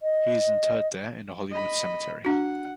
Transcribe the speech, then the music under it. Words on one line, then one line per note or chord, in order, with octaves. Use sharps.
He is interred there in the Hollywood Cemetery.
D#5
D#5 B5
D4 F#4 F#5